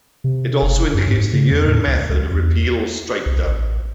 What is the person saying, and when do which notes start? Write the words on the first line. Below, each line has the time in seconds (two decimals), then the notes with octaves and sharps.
It also indicates the year and method of repeal or strikedown.
0.24 C3
0.62 F#1
0.94 F#2
1.08 G#2
1.33 C#3
1.51 E2
1.66 A2
1.87 C#2
2.09 C#2
2.31 E2
3.26 C2
3.45 A1